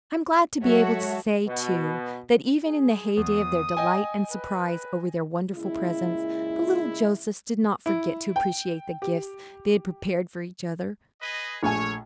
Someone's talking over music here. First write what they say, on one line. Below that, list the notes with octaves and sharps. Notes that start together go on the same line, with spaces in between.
I'm glad to be able to say, too, that even in the heyday of their delight and surprise over their wonderful presents, the little Josephs did not forget to appreciate the gifts they had prepared for each other.
F#3 G#3 F#4 A4 C#5 E5
B2
G#4
E2 D#6
D#5 G5 G#5
B4
A#2 C#3 G#3 E4
E4
G5
G4
G#4 B4 D#5
A#1 A3 C#5 G#5